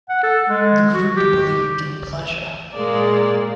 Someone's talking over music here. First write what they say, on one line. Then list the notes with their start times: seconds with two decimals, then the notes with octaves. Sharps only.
The Group believed in pleasure ...
0.10 F#5
0.23 A4
0.50 G#3
0.94 F#4
1.17 G4
2.74 A#2 G#3 A#3 D5